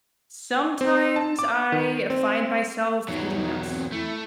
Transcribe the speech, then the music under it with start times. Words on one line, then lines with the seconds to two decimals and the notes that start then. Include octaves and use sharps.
Sometimes, I find myself eating nuts,
0.81 C4
1.16 A5
1.39 D6
1.72 D#3
2.10 C4
3.08 E2 F#3 D#4
3.34 D#4
3.67 C4
3.92 A3 E4